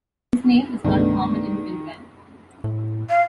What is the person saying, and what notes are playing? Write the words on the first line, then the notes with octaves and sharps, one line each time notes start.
His name is not common in Finland.
G1 C2 D#3 G#3 A3 B3 D4
A2
F5